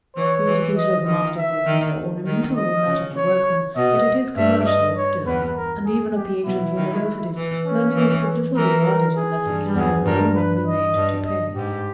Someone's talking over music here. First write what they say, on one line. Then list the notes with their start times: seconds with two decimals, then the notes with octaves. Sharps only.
The education of the masters is more ornamental than that of the workmen, but it is commercial still; and even at the ancient universities learning is but little regarded, unless it can in the long run be made TO PAY.
0.16 E3 C#5
0.46 E3
0.76 D#5
1.06 D#3 D#5
1.36 E5
1.66 D#3
2.26 D#3
2.56 D#5
2.86 C#3
3.16 C#5
3.76 B2 D#5
4.36 G2 E5
4.66 D#5
4.96 C#5
5.26 E2 B4
5.56 A#4
5.85 G#4
6.15 G4
6.45 B2 E4
6.76 D#3
7.36 E3
7.66 C#4
7.95 E3
8.56 E3 A#4
8.85 A#4
9.16 G#4
9.46 G2
9.75 E2 G#4
10.06 G2 A#4
10.35 B4
10.66 D#5
10.96 G2
11.26 D#5
11.55 G#2 G4